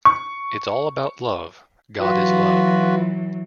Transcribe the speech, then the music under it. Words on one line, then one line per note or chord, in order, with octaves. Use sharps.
It's all about love - God is love.
C#6
E3 F#3 F4 F#4 B4